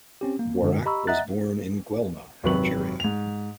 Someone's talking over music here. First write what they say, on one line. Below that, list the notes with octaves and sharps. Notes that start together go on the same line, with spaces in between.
Boirac was born in Guelma, Algeria.
C4 C#4 G4
A#3
F#2 D3 G#3
G4 D#5 A#5 B5 C#6 E6
D#5 E5 F#5 A#5 F#6 A6
G#1 F#2 C3 B4 C#6 F#7
G#2 F7